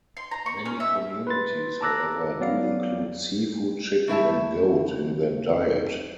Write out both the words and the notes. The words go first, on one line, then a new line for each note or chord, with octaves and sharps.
Many communities, however, do include seafood, chicken, and goat in their diet.
C6
A#5
C#6
C#4
E5
B4 C6 A6
A5 A#5 D6 E6 F#6 A#6
F#3 B3 D5 F5
A3 E4 E5 A5